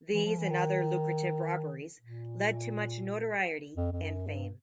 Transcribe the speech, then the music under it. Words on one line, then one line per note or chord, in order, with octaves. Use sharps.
These and other lucrative robberies led to much notoriety and fame.
E3
F3
E3
D#3
A#2
F2
F2
F#2
G2